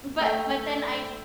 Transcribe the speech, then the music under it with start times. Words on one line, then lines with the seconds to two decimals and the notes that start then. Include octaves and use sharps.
but but then I
0.21 A3 E5 G5
0.66 D4